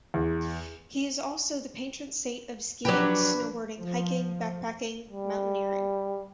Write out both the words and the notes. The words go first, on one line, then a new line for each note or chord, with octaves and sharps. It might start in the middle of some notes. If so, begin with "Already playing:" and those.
He is also the patron saint of skiing, snowboarding, hiking, backpacking, mountaineering.
E2
F3 F#3 D4 G4 B4
F3
G3